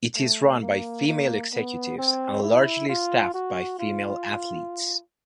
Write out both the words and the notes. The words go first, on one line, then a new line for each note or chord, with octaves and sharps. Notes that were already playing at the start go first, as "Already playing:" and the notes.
It is run by female executives and largely staffed by female athletes.
A3
A#3
A#3
B3
C4
E4
F4
F#4
F4